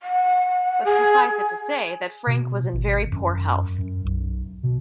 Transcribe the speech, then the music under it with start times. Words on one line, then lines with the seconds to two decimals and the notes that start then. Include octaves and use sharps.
But suffice it to say that Frank was in very poor health.
0.02 F#5
0.84 G#4
2.27 B2
2.73 G#1
3.11 F#2
3.78 F#2
4.04 B1
4.63 B2